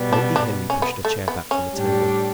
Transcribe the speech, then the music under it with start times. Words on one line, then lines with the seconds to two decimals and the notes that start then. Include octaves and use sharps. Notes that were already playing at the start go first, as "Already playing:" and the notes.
Lady Henry pushed her chair back from the table.
Already playing: B2 G3 B3
0.13 D4
0.36 D4
0.70 C#4
0.82 B3
1.05 A3
1.28 B3
1.51 C#4
1.74 A2 G3 D4 G4